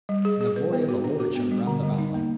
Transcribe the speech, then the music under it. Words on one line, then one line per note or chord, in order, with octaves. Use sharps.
And the glory of the Lord shone round about them!
G3
G#4
G#4
B4
B3
F#4
D4
F#4
B3
G3
D3
G3
D#4
A#3